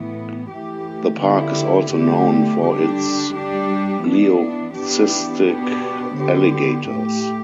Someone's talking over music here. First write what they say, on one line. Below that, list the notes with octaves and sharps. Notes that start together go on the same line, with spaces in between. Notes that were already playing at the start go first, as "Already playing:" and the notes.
The park is also known for its leucistic alligators.
Already playing: A2 E3 B3
E3 A3 G4
D3 B3 E4 G4
D3 A3 G4
D3 G3 D4 G4
G3 D4 G4
E3 B3 D4
E3 B3 D4 G4
B2 B3 D4 G4
D3 B3 G4
A2 A3 G4